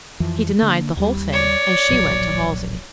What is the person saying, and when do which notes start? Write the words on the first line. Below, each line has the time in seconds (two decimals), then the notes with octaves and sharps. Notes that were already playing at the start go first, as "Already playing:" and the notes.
He denied the whole thing, and she went to Halsey.
0.20 F2 E3 F3
0.58 D3 A#3
0.97 D#2 G3
1.33 C#5 D5
1.89 D1 A#1 F#3